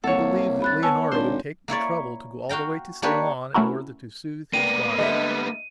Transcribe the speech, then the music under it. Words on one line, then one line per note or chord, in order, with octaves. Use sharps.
He believed that Leonora would take the trouble to go all the way to Ceylon in order to soothe his daughter.
C2 A#3 A4 C#5 F#5
B5 F#6 A6
B3 C#5 G#5 A5 E6
G#1 D4 C5
A#3 E4 C#5 D5
F#4 F5 G5 A#5
A#3 D4 G4 B4 C#5
A3 C#4 E4 F#4 A#4
A#3 B3 D4 G5 D#7
D3 G3 D#5 E5